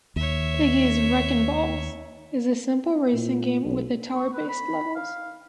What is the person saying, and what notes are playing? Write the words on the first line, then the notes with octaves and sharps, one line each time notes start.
"Iggy's Reckin' Balls" is a simple racing game with tower-based levels.
D#2 C#5 E5
A#2
B1
C#6
B4
B5
F5